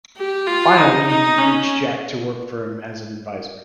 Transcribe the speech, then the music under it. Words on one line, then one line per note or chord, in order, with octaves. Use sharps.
Finally, he recruits Jack to work for him as an adviser.
G4
F4
D#4
D#4
C#4